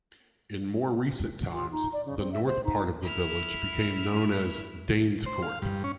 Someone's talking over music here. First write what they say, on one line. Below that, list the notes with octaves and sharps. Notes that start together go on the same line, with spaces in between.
In more recent times, the north part of the village became known as "Danescourt".
F4
D#4
D5
C#3
C4
E5
C5
D#4
E4 F6
C5
F5
G2
C#4